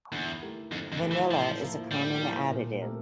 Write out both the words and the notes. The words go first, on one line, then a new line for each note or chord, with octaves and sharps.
Vanilla is a common additive.
E2 D3
A3 E4 G4 A#4
F2 D3
F2
A3 E4 G4 A#4
E3
A2 F3
F3 A#3 E4
A2 G3
F3 A#3 E4
A#2
A3 C4 G4 A#4